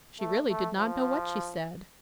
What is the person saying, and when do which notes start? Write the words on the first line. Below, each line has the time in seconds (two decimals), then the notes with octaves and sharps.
She really did not know what she said.
0.20 A3
0.49 A3
0.77 F3